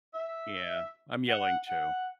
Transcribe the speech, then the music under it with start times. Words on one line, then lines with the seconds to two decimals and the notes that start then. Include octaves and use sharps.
Yeah, I'm yelling too.
0.14 E5
1.28 F#5
1.67 F#5